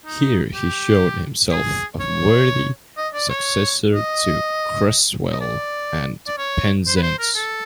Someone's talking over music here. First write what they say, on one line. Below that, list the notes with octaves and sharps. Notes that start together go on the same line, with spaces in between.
Here he showed himself a worthy successor to Cresswell and Penzance.
D#4
G4
G#4
C#5
D#5
D5
C#5
D#5
D#5
D5
D5
C#5
C5
B4
C5
A#4
A4